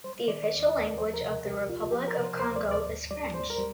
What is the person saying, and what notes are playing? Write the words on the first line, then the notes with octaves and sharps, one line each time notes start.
The official language of the Republic of Congo is French.
G3 C5
D#3 D5
D#2 D5
D#5
D#2 D5
A#4
F3 C5
A#4
C3
C2 G4
C2 F4
F3 G4
A#4
C3
C5
D2 C5
D5
D2
D5
G#2
G3 D5
G#2 C5
A#4
G3